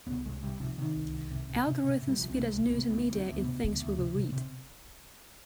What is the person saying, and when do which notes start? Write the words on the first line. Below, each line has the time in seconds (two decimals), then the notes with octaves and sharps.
Algorithms feed us news and media it thinks we will read.
0.07 C2 B3
0.25 C2 G#3
0.43 C3 G3
0.60 C3 F3
0.78 C3 D#3
0.96 C2
1.14 C2
1.31 C3
1.49 C3
1.67 C3
1.84 C3
2.03 C3
2.09 G3
2.19 C2 F3
2.29 C4
2.36 C3 B3
2.44 G#3
2.56 C2
2.67 B3
2.74 C3
2.90 D2 B3
3.09 D2
3.14 C4
3.27 D2
3.38 B3
3.44 C3
3.62 D2
3.80 D2
3.97 C3
4.15 C3
4.32 C3 C4